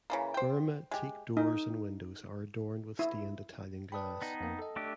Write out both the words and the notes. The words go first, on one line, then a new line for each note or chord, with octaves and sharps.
Burma teak doors and windows are adorned with stained Italian glass.
C#3 E3 A#3
C5 G5
G#3 G4
D#4
E4
B4 D5 G5 A5 B5 D#6
B3 D#4
F2 A#3
A4 D#5
A3 D4 G4